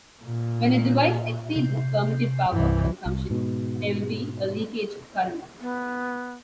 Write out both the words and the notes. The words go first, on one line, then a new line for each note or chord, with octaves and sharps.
When a device exceeds its permitted power consumption, there will be a leakage current.
A#2
C3
C2 G2 E3
C2
G#2 B2
B3